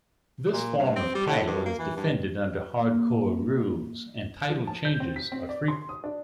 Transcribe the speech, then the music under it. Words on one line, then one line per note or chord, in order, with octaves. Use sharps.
This form of title is defended under hardcore rules, and title changes are frequent.
A#2
G2
C4
G3
A2
G2
A#3
E3
G2
A#3
F3
A5
G6
C4
B6
C4
D5
C6
D#6
D4